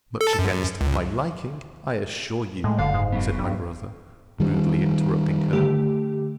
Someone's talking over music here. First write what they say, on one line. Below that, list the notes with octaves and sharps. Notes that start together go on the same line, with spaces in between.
Much against my liking, I assure you, said my brother, rudely interrupting her.
A4
F#2
C#2
A2 G#3
F#1 D3 F5
G#2
F#3 B3
G2
D#3 G3
D3 A3 G4